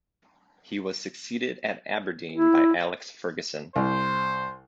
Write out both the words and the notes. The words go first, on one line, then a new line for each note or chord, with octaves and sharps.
He was succeeded at Aberdeen by Alex Ferguson.
E4
C2 C5